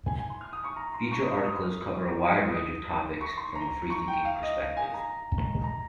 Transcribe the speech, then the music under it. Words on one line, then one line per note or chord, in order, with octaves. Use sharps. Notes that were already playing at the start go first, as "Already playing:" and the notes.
Feature articles cover a wide range of topics from a freethinking perspective.
G#5
G#5
C6
F6
D#6
C#6
A#5
C6
C#6
D#6
F6
D#6
F6
D#6
C#6
C6
A#5
C#6
G5
F5
D#5
F5
G#5
A#5
A#5